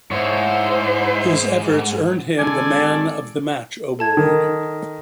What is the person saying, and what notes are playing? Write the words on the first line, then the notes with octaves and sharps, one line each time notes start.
His efforts earned him the Man of the Match award.
G#2 E4 C5 C#5
D#3 G#3 A4 D5 G#5
A4 A5 G#6
D#3